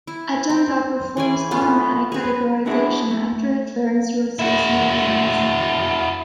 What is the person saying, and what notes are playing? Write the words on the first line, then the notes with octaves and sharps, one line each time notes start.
Agenda performs automatic categorization after it learns your associations.
E4
C4
E3 G#4 D5 G#5
A3 B3 F4
G#4 B4
B3 D4 E4 F#4 G#4
A3
E4 F#4